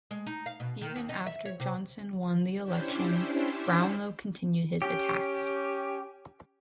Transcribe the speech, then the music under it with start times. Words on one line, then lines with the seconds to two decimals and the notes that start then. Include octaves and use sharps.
Even after Johnson won the election, Brownlow continued his attacks.
0.11 G#3
0.26 D#4
0.46 F5
0.60 B2
0.81 D#3
0.96 D#2
1.09 D#4
1.26 E5
1.45 C#5
1.60 C3
2.62 C#4 D4 E4 G4 C5
4.82 C#4 G4